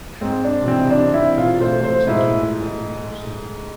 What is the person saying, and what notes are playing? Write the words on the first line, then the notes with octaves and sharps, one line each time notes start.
I mean, that is more children than died in Hiroshima.
G#2 C4
D4
E3 C4
D4
C4 E4
F4
A3 C5
C5
G#2 E4